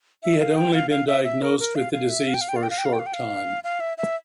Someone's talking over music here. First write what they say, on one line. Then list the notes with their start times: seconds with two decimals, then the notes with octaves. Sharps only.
He had only been diagnosed with the disease for a short time.
0.23 E5
0.40 F5
0.56 G5
0.74 F5
0.90 F5
1.07 E5
1.24 E5
1.42 A#4
1.59 A#4
1.75 F5
1.93 F5
2.10 E5
2.28 F5
2.34 G5
2.41 F5
2.49 G5
2.56 F5
2.63 G5
2.70 F5
2.78 G5
2.85 F5
2.93 G5
2.99 F5
3.06 G5
3.13 F5
3.64 F5
3.80 E5
3.98 E5